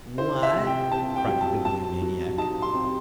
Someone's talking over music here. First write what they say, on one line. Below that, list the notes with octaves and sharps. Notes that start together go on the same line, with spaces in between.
"What?" cried the Bibliomaniac.
E4 C5
E5
C3
G5
C4 A5
G5
F#3
A5
F#3 A5
F#3
D#4 A5
C6
C4